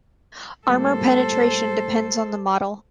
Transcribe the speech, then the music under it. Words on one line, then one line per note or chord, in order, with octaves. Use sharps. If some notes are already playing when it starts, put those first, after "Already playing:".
Armour penetration depends on the model.
A2 G3 A#3 A4 C5